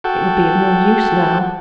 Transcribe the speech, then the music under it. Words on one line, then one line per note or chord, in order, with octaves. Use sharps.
It would be of no use now.
F#4 A4 G5